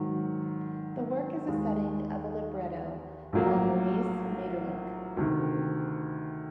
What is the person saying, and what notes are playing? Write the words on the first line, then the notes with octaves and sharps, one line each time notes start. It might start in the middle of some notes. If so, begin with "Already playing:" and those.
The work is a setting of a libretto by Maurice Maeterlinck.
Already playing: G#2 D#3 F#3
D#2 D#3 G#3
A#1 A2 F#3 A#3
D2 C3 D#3